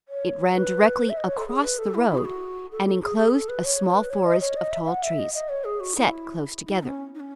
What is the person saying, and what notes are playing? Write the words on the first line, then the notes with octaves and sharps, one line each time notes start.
It ran directly across the road and enclosed a small forest of tall trees, set close together.
C#5
B4
E5
D#5
C#5
A4
G#4
B4
A4
E4
E4
G#4
F#4
A4
A4
G#4
G#4
A4
B4
C#5
B4
C#5
D#5
C#5
D#5
E5
E5
F#5
E5
D#5
D#5
C#5
G#4
F#4
E4
D#4
E4
B3
C#4
D#4
C#4